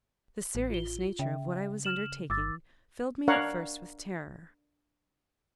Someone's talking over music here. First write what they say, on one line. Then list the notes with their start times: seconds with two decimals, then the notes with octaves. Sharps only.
The serious nature of what I was undertaking filled me at first with terror.
0.55 A1
0.70 F4 G7
1.19 C#3 E5 G5
1.85 F6 E7 F#7
2.30 G1 D6 E6 A6
3.28 D4 A#4 C#5 F5 F#5